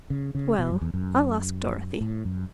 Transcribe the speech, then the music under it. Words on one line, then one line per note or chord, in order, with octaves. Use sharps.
"Well, I'll ask Dorothy."
C#3
C#3
B2
F#2
E2
F#2
A2
F#2